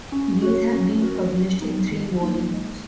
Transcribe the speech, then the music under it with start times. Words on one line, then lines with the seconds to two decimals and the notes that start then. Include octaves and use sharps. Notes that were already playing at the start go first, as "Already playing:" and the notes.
These have been published in three volumes.
0.12 C#4
0.42 F#4 C#5
0.72 C#4
1.02 F#4 A#4
1.32 F#3
1.61 B3 D#4
1.91 D#3
2.21 F#3 A#3 D#4
2.51 G#3